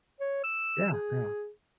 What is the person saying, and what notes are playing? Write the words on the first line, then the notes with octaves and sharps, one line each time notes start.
Yeah, yeah.
C#5
E6
G#4